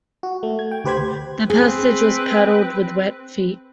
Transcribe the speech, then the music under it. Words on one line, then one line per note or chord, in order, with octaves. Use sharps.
The passage was paddled with wet feet.
F#4
A3
G#6
G5
D2 G4 B4 C5 B5 G#6
C4 G#4 B4